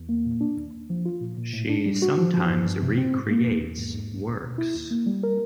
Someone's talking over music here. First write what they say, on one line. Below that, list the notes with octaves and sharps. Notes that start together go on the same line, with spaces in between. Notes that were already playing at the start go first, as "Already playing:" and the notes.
She sometimes re-creates works.
Already playing: E2
A#3
A#2
D4
D#2
D#2
F3
F4
A#2
A#2
A2
D4
G3
F#4
F3
F3
G2
G2
C3
C4
G#2
A#3
E2
E2
G#2
G#2
D2
D2
B2
E4
D#2
A#3
G3
A#4